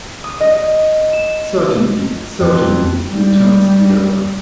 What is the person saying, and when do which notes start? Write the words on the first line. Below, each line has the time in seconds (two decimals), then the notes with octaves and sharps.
"Certainly, certainly," returns the other.
0.24 D#6
0.40 D#5
1.13 E7
2.40 F2
3.06 G3